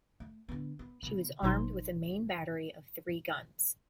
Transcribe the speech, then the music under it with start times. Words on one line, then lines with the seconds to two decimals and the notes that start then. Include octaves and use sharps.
She was armed with a main battery of three guns.
0.20 A3
0.49 D3 B3
0.79 B3
1.03 C#3 B3
1.42 G#1 B2 F#3 D#4 C5 C6